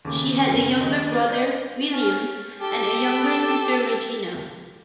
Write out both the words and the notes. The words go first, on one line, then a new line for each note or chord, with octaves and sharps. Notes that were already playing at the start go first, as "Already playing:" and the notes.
She had a younger brother, William, and a younger sister, Regina.
D#2 C#3 A3 D6
F#2 C#3
D#2 D#5
C5 D5 D#5 G6
C#4 A5 C#6
G4 A4